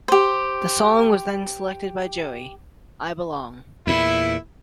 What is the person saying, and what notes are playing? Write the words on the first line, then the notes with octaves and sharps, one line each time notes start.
The song was then selected by a jury: I Belong.
G4 C5
E2 A#2 E4